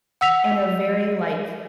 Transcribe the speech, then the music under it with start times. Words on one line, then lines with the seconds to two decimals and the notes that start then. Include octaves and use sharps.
in a very, like,
0.21 F#5 E6 B6 F7